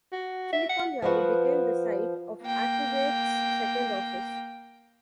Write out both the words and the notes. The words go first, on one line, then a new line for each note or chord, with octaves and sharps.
Silicon Valley became the site of Activate's second office.
F#4
E5
F#5
F3 B3 F#4
A#3 G5